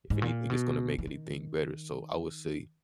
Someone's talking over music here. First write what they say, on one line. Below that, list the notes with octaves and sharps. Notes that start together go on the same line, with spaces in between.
If anything, it's gonna make anything better. So I would say
G#2
A#2
B2
E3
D#3